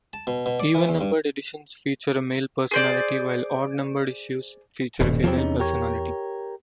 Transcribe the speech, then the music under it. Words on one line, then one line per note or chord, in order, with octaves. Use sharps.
Even-numbered editions feature a male personality, while odd-numbered issues feature a female personality.
A5
B2
B2
D5
E3
E2
G2
G#4 C5 D5
D#1 G2 B2
E2 F3 F#3 C4
C3 C#4 D#4
G4 A#4 C#5